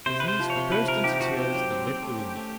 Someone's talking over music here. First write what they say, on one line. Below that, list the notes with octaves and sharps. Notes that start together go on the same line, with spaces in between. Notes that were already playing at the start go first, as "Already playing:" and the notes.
His niece burst into tears and left the room.
C3 C5
C3 B4
C5
F3
C#5
C3
F3 B4
F3 A#4
D#4 G4
F3 F#4
C4 G4
F#3
C4
C4
A3
C#4
A3